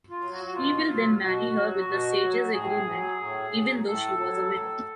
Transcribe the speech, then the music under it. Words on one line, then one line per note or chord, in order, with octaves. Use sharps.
He will then marry her with the Sages’ agreement, even though she was a widow.
F4
F#3
F#4
F#4
B2 F4
F#3 F4
F4
B2 F#4
F#3
B2
F#3
A2 G#4
F#3
A2
F#3
A2 A4
F#3
A2